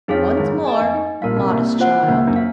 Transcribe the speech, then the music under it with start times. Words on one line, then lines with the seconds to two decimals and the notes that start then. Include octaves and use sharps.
'Once more, modest child!'
0.08 F2 F3 D#4 G#4 C#5 F5
0.37 G#1 G#2 G#4
0.52 F#2
0.65 D#5 G#5
0.80 F2
0.94 D#4
1.22 A#1 A#2 A#4 F5
1.36 C2 C3
1.50 C2 C3 A#3
1.79 F4 C5 F#5
2.01 D#3
2.08 C#2 C#3 A#3
2.27 F#2
2.36 F5